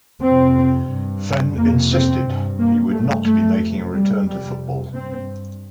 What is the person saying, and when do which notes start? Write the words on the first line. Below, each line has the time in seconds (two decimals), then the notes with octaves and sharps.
Fenn insisted he would not be making a return to football.
0.22 F2 C3 C4
0.90 G2
1.57 F2 C3 A#3
1.91 C4
2.25 G2
2.58 A#3
2.92 G2 A3
3.25 A3
3.60 F2 C3
3.93 G3
4.26 F2 C3 G3
4.94 G2 C4